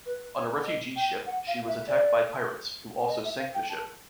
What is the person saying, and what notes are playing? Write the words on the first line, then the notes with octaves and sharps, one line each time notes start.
On a refugee ship, she was attacked by pirates, who also sank the ship.
B4
C#5
D#5
G5
F#5
F5
E5
D5
D#5
E5
F5
G5
A5